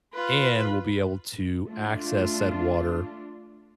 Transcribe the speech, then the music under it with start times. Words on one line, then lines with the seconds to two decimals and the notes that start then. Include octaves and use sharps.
and we'll be able to access that water
0.14 F4 B4
1.68 A3 D4 F4